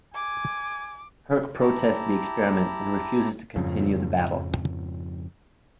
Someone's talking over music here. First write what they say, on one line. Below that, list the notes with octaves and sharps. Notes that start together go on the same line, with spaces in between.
Kirk protests the experiment and refuses to continue the battle.
G#5 D6
E4 G4 A5 A#5
F2 G#2 C#3 F3